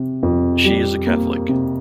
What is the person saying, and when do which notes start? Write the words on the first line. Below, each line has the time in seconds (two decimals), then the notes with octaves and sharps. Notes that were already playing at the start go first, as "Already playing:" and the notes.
She is a Catholic.
Already playing: C3
0.23 F2
0.64 G3
1.07 A#3
1.49 C3